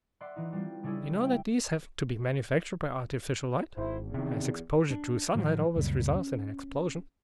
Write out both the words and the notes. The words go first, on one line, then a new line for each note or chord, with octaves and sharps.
You know that these have to be manufactured by artificial light, as exposure to sunlight always results in an explosion.
D5 E5 F#5 C6
E3 D#4
G3 C4 F4
C#3 G3 D4 E4 G#4 A4
E5 G5
G#1 E4 C5
E2
C3 D#3
D4
A2 F3 F#3
C#2 F#2 A#2 G3
C#4